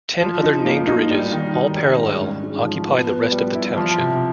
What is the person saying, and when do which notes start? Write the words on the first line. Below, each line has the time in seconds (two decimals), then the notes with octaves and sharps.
Ten other named ridges, all parallel, occupy the rest of the township.
0.21 F3
0.43 D#4
0.65 A#3
0.87 D#4
1.10 G3
1.32 D#3
1.55 G3
1.77 G3
1.98 G#2
2.21 C#4
2.43 G#2
2.65 F3
2.88 B3
3.10 B3
3.32 G3
3.55 E4
3.76 F3
3.99 C3